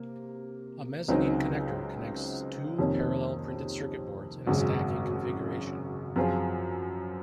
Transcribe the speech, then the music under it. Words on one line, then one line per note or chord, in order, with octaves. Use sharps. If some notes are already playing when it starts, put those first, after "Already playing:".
A mezzanine connector connects two parallel printed circuit boards in a stacking configuration.
Already playing: C3 A#3
C#2 C#3 F#3 C4 D#4
F2 C3 D#3 A#3 C#4
G#1 F#2 C#3 G#3
F#2 F3 C4 F4 G#4